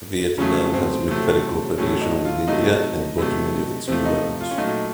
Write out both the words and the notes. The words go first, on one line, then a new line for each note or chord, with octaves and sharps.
Vietnam has military cooperation with India and bought many of its new weapons.
C#3 F#3 A3 C#4
C4
C3 F#3 A3
A2 F#3 A3 C#4
D#4
F4
C3 F#3 A3 D#4
C3 F#3 A3
C3 F3 A3 C4
D#4
F4
C#4
A#2 F#3 A3 D#4